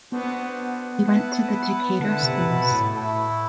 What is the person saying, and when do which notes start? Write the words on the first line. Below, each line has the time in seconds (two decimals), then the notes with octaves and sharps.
He went to the Decatur schools.
0.12 B3 D4 F#4 A4 C5
1.06 E4 B4 F#5 A5
2.00 D3 E4 B4 F#5 A5
2.23 C3
2.47 B2
2.71 A2
2.94 A3 E4 A4